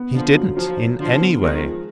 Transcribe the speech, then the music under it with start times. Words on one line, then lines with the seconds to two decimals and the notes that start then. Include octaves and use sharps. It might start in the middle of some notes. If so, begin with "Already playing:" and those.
"He didn't--in any way."
Already playing: B3
0.14 D3 F3
0.35 F#3
0.56 F3 F#3
0.78 F#3
0.99 D3 F3
1.20 B3
1.41 D#3 G#3
1.62 F3